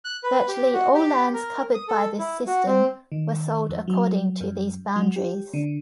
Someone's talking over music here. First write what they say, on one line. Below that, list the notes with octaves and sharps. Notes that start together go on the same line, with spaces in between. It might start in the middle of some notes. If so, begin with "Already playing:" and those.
Virtually all lands covered by this system were sold according to these boundaries.
F#6
B4
G4
F#4
G4
A#4
D#6
A4
E4
F#4
C4
D#3
F2
F#3
F#2
F#3
G4
D3